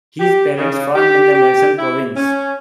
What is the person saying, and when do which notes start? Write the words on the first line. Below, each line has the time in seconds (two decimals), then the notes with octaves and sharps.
His parents farmed in the Nelson province.
0.20 G4
0.57 C#3
0.95 G4
1.32 G4
1.77 E4
2.17 C#4